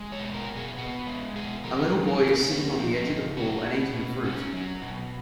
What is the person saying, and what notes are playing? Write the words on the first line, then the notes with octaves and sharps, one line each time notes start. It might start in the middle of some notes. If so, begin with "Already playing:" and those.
A little boy is sitting on the edge of the pool and eating a fruit.
Already playing: G#3
C#5
B2
A#4
B2
G#4
B3 F#4
G#3
B2 G#4
F3 A#4
C#3
A#4
C#4
A#3 F#4
F3
D#4
C#3
F#3 F#4
B2
B2
C#4
F#3
B2